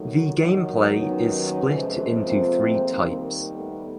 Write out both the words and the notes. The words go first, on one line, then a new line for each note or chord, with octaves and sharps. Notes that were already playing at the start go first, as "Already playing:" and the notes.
The gameplay is split into three types.
Already playing: D#2 D#3 F#3 A3
D#2 D#3 F#3
B3 C#4
F2 C3 F3 G#3
A#3 C4
D#2 D#3 G3
A3 B3